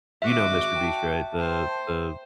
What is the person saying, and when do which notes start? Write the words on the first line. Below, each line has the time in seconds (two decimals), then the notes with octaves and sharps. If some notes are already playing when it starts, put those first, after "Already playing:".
you know MrBeast, right, the the
0.22 G#1 F#4 E5 D6
0.76 G5 A5
1.39 C5